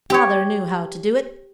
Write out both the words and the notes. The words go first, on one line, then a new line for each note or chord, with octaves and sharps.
"Father knew how to do it."
G4 C#5